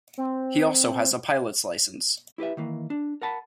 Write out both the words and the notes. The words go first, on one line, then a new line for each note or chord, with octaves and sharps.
He also has a pilot's licence.
C4
E4 G4 B4 E5
D#3 E3 A#3
D4
A#4 F#5 A5 B5